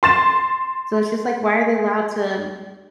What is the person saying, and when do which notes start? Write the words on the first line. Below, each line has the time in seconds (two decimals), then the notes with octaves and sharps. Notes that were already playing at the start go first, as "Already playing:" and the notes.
so it's just, like, why are they allowed to
0.03 C6 A6 E7